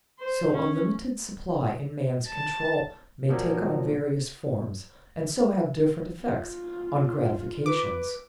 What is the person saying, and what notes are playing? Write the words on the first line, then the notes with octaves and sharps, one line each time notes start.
So a limited supply in man's control may take on various forms and so have different effects on gratifications.
C5
C#4
A5
A#2 F3 F#3 A#3
F4
B4 D6